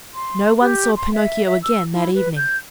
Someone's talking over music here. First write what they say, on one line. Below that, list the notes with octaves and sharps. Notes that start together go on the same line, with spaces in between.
No one saw Pinocchio again that evening.
C6
G4
C6
E5
E5
E6
E4
B4
G6